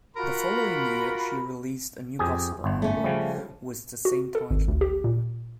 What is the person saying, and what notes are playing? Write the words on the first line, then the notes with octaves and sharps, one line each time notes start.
The following year, she released a new gospel album with the same title.
F4 F#4 A#4 B5
F2 G4 G#4
G1
A3 C#4
C#3 F3 G3
F#4
A4
G#1
D2
G4
A#2